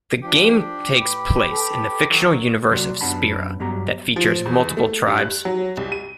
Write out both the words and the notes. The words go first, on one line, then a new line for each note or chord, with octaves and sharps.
The game takes place in the fictional universe of Spira that features multiple tribes.
F3 D4 G4
A2 B4
A4
E3 F#3
C3 F#3 A#3 F#4 D5 C6
F#2 B3 D4 F#5 A5 B5
G2 F#3 B3 G4 A#5
F3
E2
A3
G2
F#6
F#3
C2
D#7